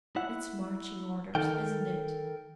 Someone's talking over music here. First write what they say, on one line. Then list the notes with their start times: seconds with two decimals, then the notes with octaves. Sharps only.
"It's marching orders, isn't it?"
0.16 E4 F#5
1.35 D#3 A4 A#4 G5